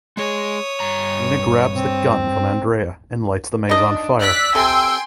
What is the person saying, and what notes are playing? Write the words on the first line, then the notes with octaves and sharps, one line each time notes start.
Meena grabs the gun from Andrea and lights the maze on fire.
G#3 G#4 C#5 D#6
G2 A#5
C4
D4 D#4 D#5
D5 E6 F#6 B6
C3 A4 G5 G#5 C6